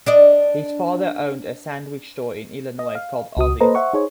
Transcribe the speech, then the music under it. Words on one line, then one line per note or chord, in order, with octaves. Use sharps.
His father owned a sandwich store in Illinois called Ozzie's.
D4 D5 D#5
D#5
F5
C#2 F#4 D#6
A#3 A4 B4 C5 D#5 A#5
C5 E5 F#5 C#6
D#4 G#4 C5 C#5